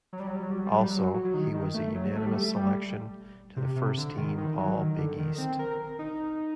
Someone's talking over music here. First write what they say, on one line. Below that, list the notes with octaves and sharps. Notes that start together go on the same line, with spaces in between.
Also, he was a unanimous selection to the First-team All-Big East.
F#3
G3
F#3
G3
F#3
G3
F#3
G3
F#3
G3
F#3
F#3
F#3
D#3
D#3
A3
F#3
A3
G3
A3
G3
C3
C3
D3
D#3
D#3
F#3
D#3
D3
D#3
C4
A#4
D#4